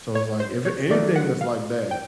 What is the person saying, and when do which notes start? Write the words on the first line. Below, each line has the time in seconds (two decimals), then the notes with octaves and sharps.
so, it's, like, if anything that's like that,
0.15 C#5
0.40 C5
0.65 C#5
0.90 D#3 F#3 A3 D5
1.16 F#5
1.41 F5
1.91 G5